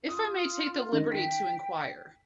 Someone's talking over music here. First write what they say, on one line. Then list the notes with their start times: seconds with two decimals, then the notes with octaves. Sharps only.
If I may take the liberty to inquire.
0.09 F4 D#6
0.93 D#3 D#5
1.12 G5 B6